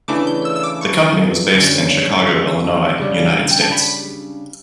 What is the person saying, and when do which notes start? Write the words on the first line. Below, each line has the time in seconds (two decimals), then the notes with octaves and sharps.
The company was based in Chicago, Illinois, United States.
0.08 C#3 E3 A3 D4 D6
0.27 G6
0.45 E6
0.56 E6
0.63 D6
0.81 C#6
1.54 F#2 D3 G3 C#4
2.27 C#6
3.00 C#3 G3 D4
3.51 G5
3.62 A5
3.72 B5